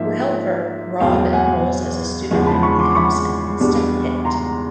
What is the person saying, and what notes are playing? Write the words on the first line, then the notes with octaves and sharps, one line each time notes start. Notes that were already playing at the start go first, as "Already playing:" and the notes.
To help her, Rob enrolls as a student and becomes an instant hit.
Already playing: G#2 F3 A#3 E5
E2 B2 F#3 F5 G5
F#5 G#5
E2 C#3 F3 G#3 B3
A5 B5
B5 C#6
C6 D6
B5 C#6
E2 B2 G3 B3 D4
A#5 C6